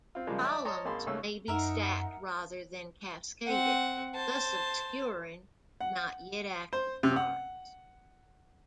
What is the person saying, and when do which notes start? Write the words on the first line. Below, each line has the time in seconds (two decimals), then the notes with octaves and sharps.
Columns may be stacked rather than cascaded, thus obscuring not-yet-active cards.
0.15 C4 F4
0.27 C#3 F3 G3 G#3 A#3
0.44 D5 E5 A5
0.65 C#5 D#5 A5 A#5 C6
0.85 G#1 A#3 G#4 A5 B5 C6
1.07 D#2 C#3 A3 C#4 E6
1.48 F#2 D#4 A#4 E5 F#5
3.47 C4 F#5
4.15 C5 A5
5.81 F#5
6.73 C5
7.03 C3
7.16 F#5